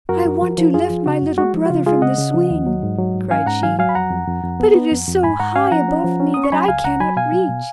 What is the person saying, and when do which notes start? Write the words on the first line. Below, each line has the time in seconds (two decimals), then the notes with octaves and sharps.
'I want to lift my little brother from the swing,' cried she, 'but it is so high above me, that I cannot reach.
0.09 F#2 F#4 A#4
0.25 F#2
0.42 F3
0.58 F3
0.74 F#2 F4 G#4
0.90 F3
1.06 C#3 F#4
1.22 F#2
1.38 G#3 F#4
1.54 F3
1.66 F#4
1.70 C#3 F4
1.86 G#3 F4 G#4
2.02 C#3 D#5 F#5
2.18 C#3
2.34 F3
2.51 D#2
2.66 F#3
2.83 G#2
2.99 F#3
3.15 G#2
3.31 C#4 F5 G#5
3.46 G#2 F#5 A#5
3.63 F#3 F5 G#5
3.79 F#3 F5 G#5
3.89 B5
3.95 F2 F#5 A#5
4.11 F2
4.27 F2
4.44 F2
4.60 B3
4.75 B3
4.92 F2
5.08 F2
5.23 G#2 G#5 B5
5.40 G#2 F#5 A#5
5.56 C#4 F5 G#5
5.72 F3 F#5 A#5
5.89 C#4
6.04 F3
6.20 C#4
6.34 C#4 D#6
6.44 C#6
6.52 F#3 G#5 B5
6.68 C#2 F5 G#5
6.84 C#2 F#5 A#5
7.00 F#3 G#5 B5
7.16 B2 F5 G#5
7.32 F#3
7.49 B2